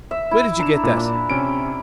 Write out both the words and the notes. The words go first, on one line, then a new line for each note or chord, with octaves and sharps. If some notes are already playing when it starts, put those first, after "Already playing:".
Where did you get that?'
E5
E4
D4 A#5 E7
A#2
D4
C3 C#4 D7